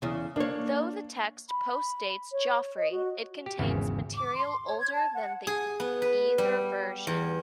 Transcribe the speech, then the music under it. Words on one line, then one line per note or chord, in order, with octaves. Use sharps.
Though the text postdates Geoffrey, it contains material older than either version.
E2 C#3
A#3 D4 C#5
B5
C#5
D#5
F#4
G4
G#1 E2 C#3
D6
C6
C#5
G#6
A5
F#5
G#4
B3
B4
G3
E2